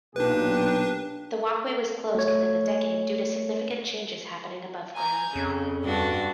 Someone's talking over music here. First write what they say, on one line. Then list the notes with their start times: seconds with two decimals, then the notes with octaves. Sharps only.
The walkway was closed within a decade due to significant changes happening above ground.
0.16 B1 A#2 D4 G4 B4
2.15 A3 C#5
4.95 G#5 A#5 G6
5.36 F2 C#3
5.83 G2 D4 F#4